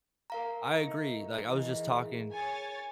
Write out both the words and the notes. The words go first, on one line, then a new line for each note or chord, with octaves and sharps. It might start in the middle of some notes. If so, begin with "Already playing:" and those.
I agree, like, I was just talking
A#4 F5 A#5
A3 D#4
E3 G#3
C#5 G#5 A6